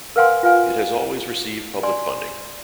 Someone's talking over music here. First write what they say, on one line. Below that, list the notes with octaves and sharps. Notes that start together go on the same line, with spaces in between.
It has always received public funding.
A#4 B4 F5 F#5 G#5 C6
F4 B4 F5 G#5
D5 G#5 C6